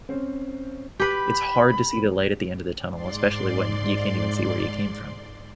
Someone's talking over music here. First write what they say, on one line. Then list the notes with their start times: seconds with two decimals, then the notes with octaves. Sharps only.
it's hard to see the light at the end of the tunnel, especially when you can't even see where you came from.
0.09 C4 C#4 C5
1.00 G4 B4 B5
2.93 G#2 D5 C6